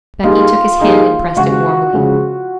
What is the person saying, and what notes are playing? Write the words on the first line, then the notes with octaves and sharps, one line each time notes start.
Becky took his hand and pressed it warmly.
G3 A#3 D#4 F4 G#4
G3 A#3 D#4 G#4
C#3 F3 G#3 F#4
C#3 F3 G#3